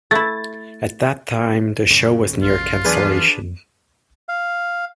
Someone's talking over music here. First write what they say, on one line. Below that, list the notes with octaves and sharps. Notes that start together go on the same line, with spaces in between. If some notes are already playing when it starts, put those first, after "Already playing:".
At that time, the show was near cancellation.
A3 E4 A6
F#2 A2 C#3
A#1 F4
D#2 E3 F#3 B3 D4 G#4 B4
F5